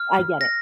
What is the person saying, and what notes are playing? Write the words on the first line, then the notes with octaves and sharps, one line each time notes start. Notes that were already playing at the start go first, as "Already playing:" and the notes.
I get it.
Already playing: F6
A#6